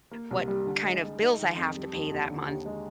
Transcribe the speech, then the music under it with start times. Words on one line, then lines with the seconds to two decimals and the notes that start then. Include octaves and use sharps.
what kind of bills I have to pay that month,
0.11 A#3
0.31 C2
0.48 G3
0.66 D3
0.84 G#3
1.02 G#3
1.20 D#4
1.38 D#3
1.57 F2
1.75 G3
1.93 D#2
2.11 D#2
2.29 D3
2.47 D#2
2.66 G#3